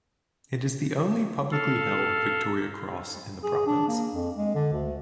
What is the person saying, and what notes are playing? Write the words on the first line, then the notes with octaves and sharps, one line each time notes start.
It is the only publicly held Victoria Cross in the province.
A4 F5
G#4
D4
A#3
F2
G#3
D3
D2